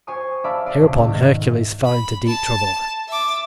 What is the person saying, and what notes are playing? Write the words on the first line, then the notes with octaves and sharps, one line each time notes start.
Hereupon Hercules fell into deep trouble.
G4 C5 G#5 C6 C#6 D#6
D5 E5 F5 A5 B5 D6
D5 E5 C6 D#6
C#2 G#2 B2
D#3
B5
A5
E5 D6